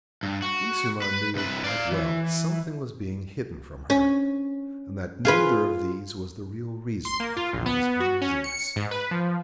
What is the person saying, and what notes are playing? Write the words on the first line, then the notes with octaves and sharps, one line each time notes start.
Bellissima knew quite well that something was being hidden from her--and that neither of these was the real reason of the Queen's uneasiness.
G2
F#4
B4
C2 B4
D5 F5
E3
C#4
F4 G#4 B4
C6
A#3
F4
A#1
B3
F#4
C#4
C#7
G#2
B4
F3